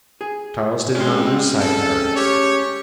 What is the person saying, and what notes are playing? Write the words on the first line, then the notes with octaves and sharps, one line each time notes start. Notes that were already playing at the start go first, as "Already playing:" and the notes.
Charles did not lose sight of her.
G#4
A2 G#3 C4 C#4 C6
A4
G4 C#5